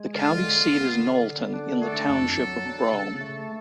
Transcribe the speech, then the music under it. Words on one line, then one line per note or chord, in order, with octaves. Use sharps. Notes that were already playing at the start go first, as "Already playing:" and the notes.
The county seat is Knowlton in the Township of Brome.
Already playing: G#3
D3 F4
D3
B3
D3
D3
D4
A3 A4
F2
F#3
D4
C#3
A3